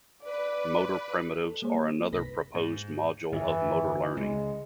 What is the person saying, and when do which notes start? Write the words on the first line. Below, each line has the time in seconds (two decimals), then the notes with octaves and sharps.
Motor primitives are another proposed module of motor learning.
0.23 B4 D5
1.44 A4
1.62 G3 A#3 G#4 C5 C#5
2.11 G1 C2 C3 B4 A#6 B6
2.54 G#2
3.32 G1 F2 E3
4.17 C#2 G#3